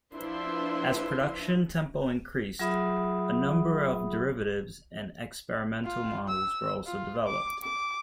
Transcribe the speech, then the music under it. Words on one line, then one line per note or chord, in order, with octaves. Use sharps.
As production tempo increased, a number of derivatives and experimental models were also developed.
F3 D4 E4 B4 E5 C6
F#3 F4 G#4 E5 B5 D#6
F4
E6
F4
D6
D6